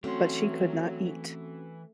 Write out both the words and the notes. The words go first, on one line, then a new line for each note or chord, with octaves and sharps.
But she could not eat.
E3 F#3 A3 C4 C#4 F#4 C6